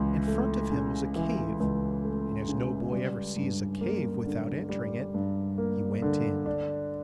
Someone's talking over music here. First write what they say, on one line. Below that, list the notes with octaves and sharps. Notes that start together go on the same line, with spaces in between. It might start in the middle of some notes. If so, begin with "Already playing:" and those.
In front of him was a cave, and, as no boy ever sees a cave without entering it, he went in.
Already playing: C#2 E3
A3
C#3
E3
C#2
A3
C#3
G3
G2
A#3
D3
G3
G2
A#3
D3
D4